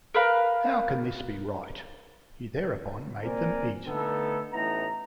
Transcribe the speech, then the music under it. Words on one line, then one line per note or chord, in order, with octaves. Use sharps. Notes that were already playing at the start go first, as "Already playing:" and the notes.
How can this be right? He thereupon made them eat.
A#4 B4 F5
A#3 C4 A#4 C5 D5 G#5
D3 A3 B3 D#4 A4
A1 A2 B3 D#4 A#5